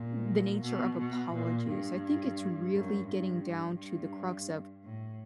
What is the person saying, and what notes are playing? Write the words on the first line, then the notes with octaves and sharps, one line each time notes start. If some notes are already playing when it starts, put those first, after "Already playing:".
m the nature of apologies, I think it's really getting down to the crux of
Already playing: A#2
B2
B2
A#2
G2
F#2
G2
G2
A2